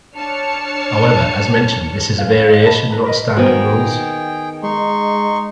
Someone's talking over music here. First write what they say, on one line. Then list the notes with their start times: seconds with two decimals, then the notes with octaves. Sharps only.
However, as mentioned, this is a variation, and not standard rules.
0.15 D4 C#5 A5 F6 C#7
2.18 C#4 D4 F5
2.47 D#5 F5
2.64 D#5 A5 B5
2.89 A4 B4 A#5 B5
3.04 A#4 B4 D#5
3.37 D#3 B3 F#4 G#4 B4 C5 G5
4.63 G#3 D#4 C6 C#6